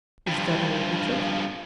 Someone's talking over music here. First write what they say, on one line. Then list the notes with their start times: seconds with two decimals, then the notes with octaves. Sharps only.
"Is that all, Richard?"
0.28 G2 F3